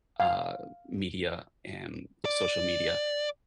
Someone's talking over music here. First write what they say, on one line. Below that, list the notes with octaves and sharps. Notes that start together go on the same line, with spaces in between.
uh, media and social media.
F5
D5